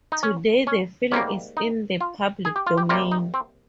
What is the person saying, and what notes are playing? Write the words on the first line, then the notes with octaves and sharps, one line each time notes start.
Today the film is in the public domain.
D#4
C#4
C#4
G#2 G3 A#3 C#4
D#4
F4
G#4
G4
F4
G4
C3 G3 A#3 F4
D#4
C4